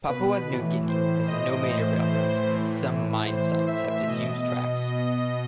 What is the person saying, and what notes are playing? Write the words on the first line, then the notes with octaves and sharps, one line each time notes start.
Papua New Guinea has no major railways, but some mine sites have disused tracks.
B2 B4
A2 E3
A2 E3 C5
A2 E3 D#5
A2 E3 C5
A2 E3 C5
A2 E3
A2 E3
A2 E3 C5
A2 E3 E5
B2 D#5
B2 D#5
B2 D#5